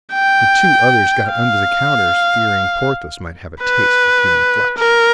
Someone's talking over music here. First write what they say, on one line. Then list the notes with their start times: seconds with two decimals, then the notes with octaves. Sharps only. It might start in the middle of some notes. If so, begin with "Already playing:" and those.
The two others got under the counters, fearing Porthos might have a taste for human flesh.
0.14 G5
1.30 F5
3.63 B4
4.78 A#4